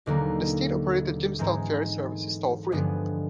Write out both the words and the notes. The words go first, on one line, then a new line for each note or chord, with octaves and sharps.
The state-operated Jamestown Ferry service is toll-free.
E1 D#2 D3 F#3 A#3
G#2 E3 G#3 C4 D#4
G2 D3 F3 G#3 B3